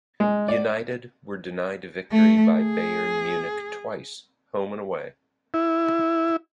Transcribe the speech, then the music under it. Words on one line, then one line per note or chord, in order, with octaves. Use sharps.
United were denied victory by Bayern Munich twice, home and away.
G#3
D5
A3
G#4
E4